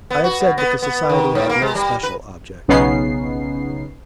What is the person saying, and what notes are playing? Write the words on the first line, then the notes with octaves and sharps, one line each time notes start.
I have said that the society had no special object.
B3
F#4
B2
B3
B3
D#3
G#2
A#3
G#3
G3
B4
B1 C#3 B3 C#4 D#4 C7